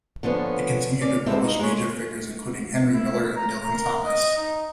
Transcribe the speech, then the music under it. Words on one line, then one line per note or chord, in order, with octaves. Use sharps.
It continued to publish major figures, including Henry Miller and Dylan Thomas.
D3 F3 B3 C#4
C#4 D5
G#3 C4 E4 A4
D#4 D#5
G#3 C#5
E4
A#5
A#4
D#5
D#4